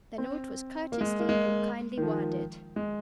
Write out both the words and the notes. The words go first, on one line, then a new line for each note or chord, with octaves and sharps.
The note was courteously and kindly worded.
C4
A#3
G#3
A#3
G#3
D#3
F3
G#3